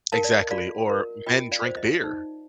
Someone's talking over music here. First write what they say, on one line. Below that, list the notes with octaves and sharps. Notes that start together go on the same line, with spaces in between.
Exactly, or men drink beer.
A#4 F5 A5
D5
D#5
F4 D5 F5
A#4
F4 D#5 G5
D5 F5
C5
D#5
D#4